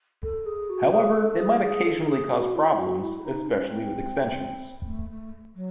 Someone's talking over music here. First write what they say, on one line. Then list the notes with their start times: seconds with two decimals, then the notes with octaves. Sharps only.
However, it might occasionally cause problems, especially with extensions.
0.23 A4
0.46 G#4
0.69 F#4
0.92 G#4
1.16 A4
1.39 G#4
1.62 G#4
1.85 A4
2.08 G#4
2.32 F#4
2.55 E4
2.78 F#4
3.00 E4
3.24 D#4
3.47 C#4
3.70 C4
4.86 A3
5.09 A3
5.55 F#3